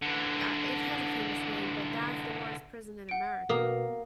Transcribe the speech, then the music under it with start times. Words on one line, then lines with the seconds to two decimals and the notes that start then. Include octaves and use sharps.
Uh, it has a famous name, but that's the worst prison in America.
0.02 D3 E3
3.09 F#5 D7
3.49 B2 A#3 D#6